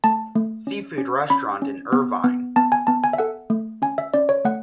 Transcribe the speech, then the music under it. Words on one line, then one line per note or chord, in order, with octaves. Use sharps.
Seafood Restaurant in Irvine.
A3 A5
A3
C#4
C#4
C#4 B5
C#4
B3
B3
B3 A5
G#5
B3 A5
G#5
E5
A4 F#5
A3
C#4 G#5
E5
C#4 D5
C#5
A3 F#5